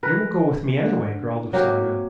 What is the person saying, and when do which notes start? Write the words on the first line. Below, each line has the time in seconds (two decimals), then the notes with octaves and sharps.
"You will go with me anyway," growled Usanga.
0.03 A#4 B4
0.82 D3
1.53 F#3 A#3 C4 G4